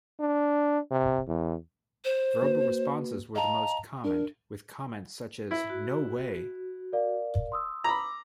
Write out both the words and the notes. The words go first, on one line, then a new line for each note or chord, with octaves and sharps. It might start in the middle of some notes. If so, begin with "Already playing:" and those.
Verbal responses were the most common, with comments such as, No way!
D4
C3
E2
C5
A#3 F#4 B4
D#5 F5 A5 A#5
D4 A#4
E4
F#4
A#4 D5 F5
C6 D#6 E6
A#5 B5 D6